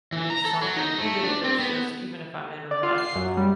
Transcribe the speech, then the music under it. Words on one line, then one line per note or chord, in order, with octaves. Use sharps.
eat something, even if it's just even if I'm in a rush
E3
A#5
A4
F#3
D#4
A3
D4
C4
B3
D5
F4
C7
F#2
G3